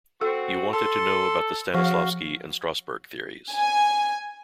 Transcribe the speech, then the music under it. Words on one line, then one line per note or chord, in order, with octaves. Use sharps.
He wanted to know about the Stanislavski and Strasberg theories.
C4 F#4 A4
A4 A5 C6
C#3 F3 C#4 F#4 F5
G#5